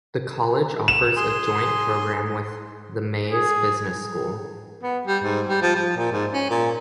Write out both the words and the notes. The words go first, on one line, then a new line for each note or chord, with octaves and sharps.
The college offers a joint program with the Mays Business School.
E7
G#4 G#5 C6
G#4
B3
G3
G#2
G3
F3
F3
A#2
G#2
C#4
A#2